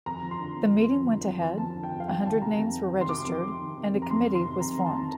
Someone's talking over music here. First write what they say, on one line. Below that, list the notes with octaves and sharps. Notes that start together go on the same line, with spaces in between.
The meeting went ahead, a hundred names were registered and a committee was formed.
F2 A#5
F3
C6
D3
F2
F2
F3
D3
F2
F2
F3 A5
D3
G5
F2
F5
F2 G5
D#3 A5
C3 A#5
F2
F2
D#3
C6
C3 D6
F2
F2
D#3
C3
F2
A#5
F2 C6
D#3
C6
C3
F2 A#5
F2 A#5
A5
D#3